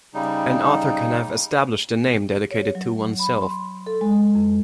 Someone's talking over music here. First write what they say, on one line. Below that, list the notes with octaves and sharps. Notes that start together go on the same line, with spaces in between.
An author can have established a name dedicated to oneself.
C#3 G3 D#4
C#5
F#3
B5
C6
A4
G#3
F2